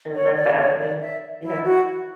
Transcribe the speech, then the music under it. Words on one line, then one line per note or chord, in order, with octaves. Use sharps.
Isn't that fascinating? Yeah.
C#5
D5
C#5
D5
E5
E4
F#4